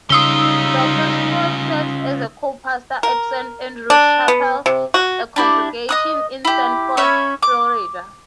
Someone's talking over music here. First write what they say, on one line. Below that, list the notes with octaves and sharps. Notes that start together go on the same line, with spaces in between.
Doctor Sproul serves as co-pastor at Saint Andrew's Chapel, a congregation in Sanford, Florida.
C#3 G3 C#4 D#4 F4 D#6 E6 G7
A#4
D4
B3
C3
F#4
D4 E4 G4
D#5 D#6 F#6
E4 G4
C#4 C#5 E5 B5
D6